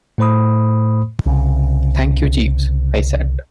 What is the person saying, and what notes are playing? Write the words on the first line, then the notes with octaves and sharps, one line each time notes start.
"Thank you, Jeeves," I said.
A2 A3 C5 B5 D#6
C2 C#3